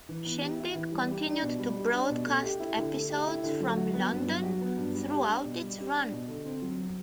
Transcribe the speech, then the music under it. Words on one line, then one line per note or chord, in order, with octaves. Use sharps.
"Shindig" continued to broadcast episodes from London throughout its run.
E3
B3
G4
E4
E3
G3
G4
D4
B2
G3
G4
D4
B2
A3
G4
E4
D3
A3
G4
E4
D3
F#3
F#4
B3
G2
F#3
F#4
B3
G2
G3
G4
D4
B2
G3
G4
D4
B2
D3
C4
F#3